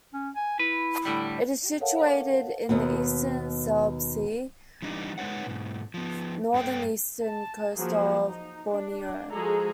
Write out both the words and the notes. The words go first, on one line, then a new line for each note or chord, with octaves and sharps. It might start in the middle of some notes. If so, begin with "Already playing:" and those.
It is situated in the eastern Celebes Sea, off the north-eastern coast of Borneo.
C#4
G#5
E4 B4
A2 D3 G3
A4 A#4 C#5 F5 F#5 A5
D#2 B2 B3
E3 G3 D4 D#4
G#3 D#4 B4 C#5 F#5
G#2 B2
F3 B3
G2 A3 C#5 G5
A5
F3 F#3 A#3 F#4 G#4
D#4
D4
F3 G#3 F#4 G#4 A4 A#5